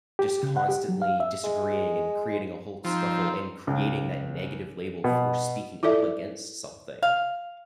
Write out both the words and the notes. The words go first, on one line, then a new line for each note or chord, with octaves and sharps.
just constantly disagreeing and creating a whole scuffle and creating that negative label for speaking up against something,
G4
C#3
F#5
G4
F#3
F5
E5
G#3
F3 C4 D#4
C#2
B2
E4 F4 A4 D5 E5
F5